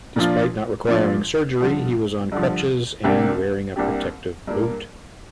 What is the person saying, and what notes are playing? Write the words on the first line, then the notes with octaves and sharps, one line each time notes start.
Despite not requiring surgery, he was on crutches and wearing a protective boot.
A#2 F3 D4 F4
A#2 F3 D4 F4
G2 D3 F3
G2 D3 F3
C2 C3 A#3 D4 G4
C2 C3 A#3 D4 G4
G2 G3 A#3